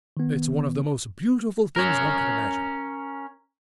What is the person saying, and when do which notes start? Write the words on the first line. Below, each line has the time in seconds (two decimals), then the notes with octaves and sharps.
It's one of the most beautiful things one could imagine.
0.17 D#3 B3
1.76 C#4 A#4